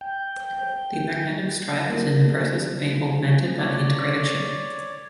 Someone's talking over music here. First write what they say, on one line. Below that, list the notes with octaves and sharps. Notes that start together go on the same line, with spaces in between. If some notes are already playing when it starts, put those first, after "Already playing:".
The magnetic stripe is in the process of being augmented by the integrated chip.
G5
A#3
C#5 D5